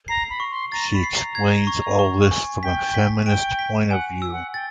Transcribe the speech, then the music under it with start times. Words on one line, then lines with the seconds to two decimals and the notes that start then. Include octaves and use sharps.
She explains all this from a feminist point of view.
0.08 A#5 C7
0.30 B5
0.40 C#6
0.51 C6
0.72 A#5 A6
0.93 B5
1.04 C7
1.14 A#5
1.35 G#6
1.67 C#6
1.99 C#6
2.31 G#5
2.63 G5 B6
2.94 B6
3.26 G5 D7
3.59 B6
3.90 F#5 G#5
4.22 E6
4.33 F#5
4.54 G5 A6